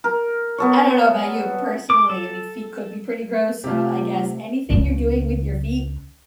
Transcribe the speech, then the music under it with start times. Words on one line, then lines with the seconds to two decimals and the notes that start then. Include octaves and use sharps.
I don't know about you, but personally, I mean, feet could be pretty gross, so, I guess, anything you're doing with your feet
0.04 A#4
0.58 B3 A4 C#5
1.90 D6
2.10 A4
3.64 C3 A3 F4 G4
4.70 C#2 C#3